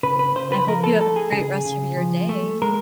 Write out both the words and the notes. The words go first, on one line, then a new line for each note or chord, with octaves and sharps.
I hope you have a great rest of your day.
C#3 B4
B4
C#3 C5
B4
F3 A#4
A4
A3 A4
G#4
C#3 G#4
C#3
F3
A3
G#3 A#4